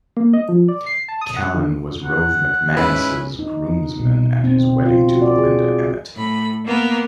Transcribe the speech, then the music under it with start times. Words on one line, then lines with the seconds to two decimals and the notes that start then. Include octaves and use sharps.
Callan was Rove McManus' groomsman at his wedding to Belinda Emmett.
0.17 A#3
0.34 D#5
0.49 F3
0.68 D5
0.86 C7
1.08 A5
1.21 D#6
1.37 F#5
1.55 D3
2.05 F#5
2.77 G#2 C#4 E4 B4
3.39 D#4
4.00 B2
4.44 C4
4.85 F4
5.08 F#4
5.22 D5
5.38 G#4
6.14 A2 B5
6.64 A#3 B3 A#4